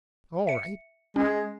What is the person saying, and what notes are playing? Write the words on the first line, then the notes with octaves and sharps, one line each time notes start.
'All right.
E5 C#7
G#3 C#4